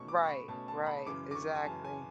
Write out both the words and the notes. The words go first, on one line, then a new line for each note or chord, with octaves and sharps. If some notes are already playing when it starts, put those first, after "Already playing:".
Right, right, exactly.
Already playing: B2 A3 C#4 C#6
D6
C#6
B5
B2 A3 C#4 A5
A5
B5
F#2 C#3 E3 D6
D6
C#6
G#5
F#2 C#3 E3 A5
G#5